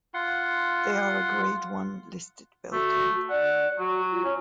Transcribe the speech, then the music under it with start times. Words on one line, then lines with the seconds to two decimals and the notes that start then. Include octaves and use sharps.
They are a Grade One listed building.
0.14 F4 F#5 C6
2.73 A3 F#4
3.30 D5 F#5
3.79 F#3 F#4
4.12 F4
4.25 C#4 C#5